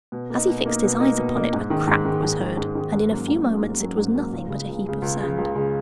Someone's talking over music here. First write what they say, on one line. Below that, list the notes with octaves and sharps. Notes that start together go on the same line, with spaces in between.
As he fixed his eyes upon it a crack was heard, and in a few moments it was nothing but a heap of sand.
B2
A#3 D#4
B2
A#3 D#4
B2
A#3 D#4
B2
A#3 D#4
G#2
D#3 G#3
G#2
D#3 G#3
G#2
D#3 G#3
G#2
D#3 G#3
G#2
F#3 A#3 C#4
G#2
F#3 A#3 C#4
G#2
F#3 A#3 C#4
G#2
F#3 A#3 C#4
C#2
C#3 G#3
C#2
C#3 G#3
C#2
C#3 G#3
C#2
C#3 G#3